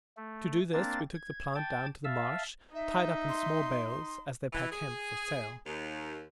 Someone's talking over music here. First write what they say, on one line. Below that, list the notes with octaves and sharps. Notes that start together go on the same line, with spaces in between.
To do this we took the plant down to the marsh, tied up in small bales, as they pack hemp for sale.
A3
A#3 C4 D4 A6
G#6
G5 A5 D6 G#6
E5 F5 A5 E6
D#4 E5
C6
E3
G#4
D#2